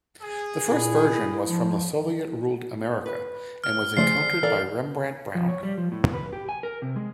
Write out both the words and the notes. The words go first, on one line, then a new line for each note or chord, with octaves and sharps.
The first version was from the Soviet-ruled America, and was encountered by Rembrandt Brown.
G#4
A#2 E4
F3
B4
F6
C#3 F3 A3 G#4 C5 D5 C7
E3 A4 A#4 D5 F5
F3
C#5
G3
F3
A2
B4
G4
G#5
A#4
C3
G#3